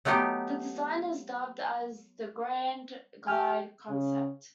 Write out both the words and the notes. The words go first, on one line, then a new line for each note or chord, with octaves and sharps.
This design is dubbed as the "Grand Glide" concept.
F#3 A3 B3 D#4 G4
G4 G#5 F6
C#3